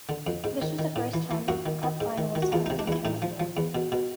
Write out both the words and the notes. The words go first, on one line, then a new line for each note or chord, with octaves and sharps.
This was the first time the cup final was held in Ternopil.
D3
F2
G#2
D#3
D#3
A2
E3
E3
F#2 F#4
D#3
D#3
G#2
D#3
D#3
F#4
E2 F4
D#4
C3
D4
E2 E4
A2 D#4
F3
F3
E2
B2
B2